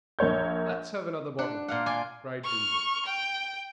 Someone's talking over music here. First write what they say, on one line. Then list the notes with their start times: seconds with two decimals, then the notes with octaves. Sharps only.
"Let's have another bottle," cried Ginger.
0.19 A#1 A#3 C#5 G6
1.39 D4 F#5
1.68 A#2 F5 F#5
1.86 D5 G#5 C6
2.44 C#6 F6
3.06 G5